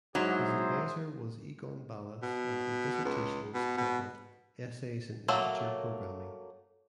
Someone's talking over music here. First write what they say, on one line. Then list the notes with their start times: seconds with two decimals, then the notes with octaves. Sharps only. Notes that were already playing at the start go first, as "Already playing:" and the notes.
His advisor was Egon Balas and his dissertation was titled "Essays in Integer Programming".
0.15 G#2 F#3 E4 G#4 C5
2.22 B2
3.05 C#2
3.54 B2
3.77 B2
5.28 F#3 A3 A#3